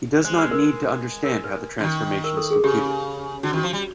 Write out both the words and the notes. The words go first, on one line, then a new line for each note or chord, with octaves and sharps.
He does not need to understand how the transformation is computed.
G#3 C5
B4
A#4
A#4
B4
D3
D#3
A#4
A4
G#4
C#3 G4
D3 F#4
D#3
F#4
F3
G3